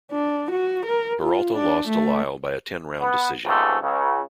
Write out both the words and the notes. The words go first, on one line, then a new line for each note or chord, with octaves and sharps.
Peralta lost to Lyle by a ten round decision.
D4
F#4
A#4
F4
D4
A3
B3
C#2 G#2 C3 A3
C#2 C#3